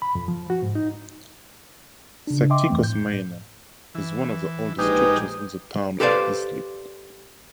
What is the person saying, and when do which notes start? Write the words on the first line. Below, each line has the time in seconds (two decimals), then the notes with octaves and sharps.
Sagtikos Manor is one of the oldest structures in the Town of Islip.
0.02 B5
0.15 F2
0.28 F3
0.50 F#4
0.62 G#2
0.75 D#4
2.27 C#3 D4
2.50 D#5 E5 G5 C6 D6
2.69 F2 E3 A3 C4
2.82 A2 G6
3.95 E3
4.79 A#1 G#3 D#4 G4 G#4 B4
6.00 G4 A4 B4 C5 D5 F5